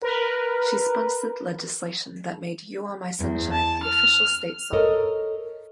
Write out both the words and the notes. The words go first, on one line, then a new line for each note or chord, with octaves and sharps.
She sponsored legislation that made "You Are My Sunshine" the official state song.
A#4 B4
E2
A5
F6
A4 A#4 C#5 D#5